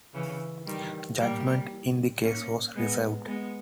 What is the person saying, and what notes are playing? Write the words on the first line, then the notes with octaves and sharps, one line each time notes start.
Judgement in the case was reserved.
C#3 E3
D#3 G3
G3 A#3
A#3 C#4
G#3 B3
G#3 B3